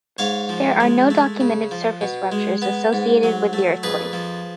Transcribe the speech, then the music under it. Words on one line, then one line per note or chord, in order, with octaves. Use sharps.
There are no documented surface ruptures associated with the earthquake.
G#2 C#5 F5
F3
G#3
A3
C#3
F3
B2
G#3
B3
G#2
F#3
A3
F2 G#4 B4
F3